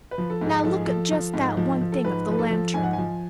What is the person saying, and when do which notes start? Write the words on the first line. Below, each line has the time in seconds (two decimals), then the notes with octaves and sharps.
Now look at just that one thing of the lantern.
0.11 B4
0.18 F3
0.30 A4
0.41 G#2 G#4
0.64 F3 A4
0.74 G#4
0.85 F3 A4
1.11 F3
1.34 G#2
1.57 F3
1.81 F3
1.92 A4
2.04 G#2 B4
2.28 F3 B4
2.39 A4
2.50 F3
2.74 G#2 G#5
2.83 F#5
2.93 G#5
2.98 F3